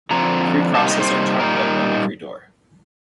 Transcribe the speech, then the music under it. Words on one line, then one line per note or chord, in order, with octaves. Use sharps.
Three crosses are chalked up on every door.
D3 F3 C4 A#5
C3 G3 A#3 D#4 A5
D#5
C5
A#2 G3 A#3 D#4 A#4
A#4